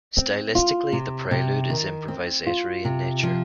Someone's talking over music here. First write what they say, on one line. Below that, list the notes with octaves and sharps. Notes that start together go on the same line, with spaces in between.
Stylistically, the prelude is improvisatory in nature.
C4
F4
C3
C3
D#3
C4
F4
C3
F3